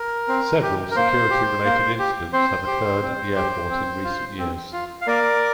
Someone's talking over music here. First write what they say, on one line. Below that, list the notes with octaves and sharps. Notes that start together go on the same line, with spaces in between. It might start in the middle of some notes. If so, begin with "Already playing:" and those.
Several security-related incidents have occurred at the airport in recent years.
Already playing: A#4
C4
G4
A#4
A#3 C5
G4
A#3
G4
C4 C5
G4
C4
G4
C4
F4
C4
F4
F5
A#3 A#4 D5